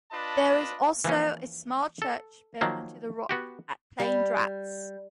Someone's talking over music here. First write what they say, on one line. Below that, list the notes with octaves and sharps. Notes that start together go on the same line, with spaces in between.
There is also a small church built into the rock at Plaine Dranse.
D4 F4 B4 D#5 A5 B5
E3 F3 A#3 C#4
A4
D#3 F3 F#3 A#3
B3 F#4 G4
G3